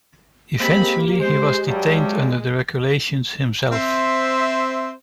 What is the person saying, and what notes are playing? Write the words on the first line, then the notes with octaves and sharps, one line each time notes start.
Eventually he was detained under the regulation himself.
G#3 A#3 C4 G4 B5
G#3 C5
G2 F#3 G3
C4 C5 E5